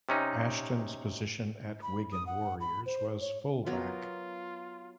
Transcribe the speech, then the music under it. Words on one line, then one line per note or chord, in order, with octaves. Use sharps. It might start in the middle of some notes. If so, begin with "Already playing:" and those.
Ashton's position at Wigan Warriors was full-back.
C3 C#4 D#4
B5
D#6
F#5
B5
C5
C#5
F#3 B3 F4 A#4